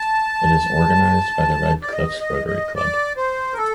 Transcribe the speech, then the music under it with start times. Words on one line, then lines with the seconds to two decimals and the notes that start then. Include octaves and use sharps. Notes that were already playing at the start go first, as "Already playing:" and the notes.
It is organised by the Red Cliffs Rotary Club.
Already playing: A5
1.82 D5
1.93 D#5
2.20 D#5
2.47 D#5
2.76 D5
3.17 C5
3.54 A#4
3.58 A4